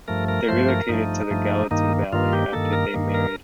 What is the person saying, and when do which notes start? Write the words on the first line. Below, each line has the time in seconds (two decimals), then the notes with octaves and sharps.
They relocated to the Gallatin Valley after they married.
0.08 G2 F3 A3 A#4
0.28 A#4
0.48 G2 F3 A3 C5
0.69 A#4
0.89 G2 F3 A3 D#4
1.31 G2 F3 A3
1.71 G2 D#3 A#3 D#4
2.13 G2 D#3 A#3 F4
2.33 G4
2.52 G2 D#3 A#3 A4
2.73 A#4
2.94 G2 D#3 A#3
3.14 A#4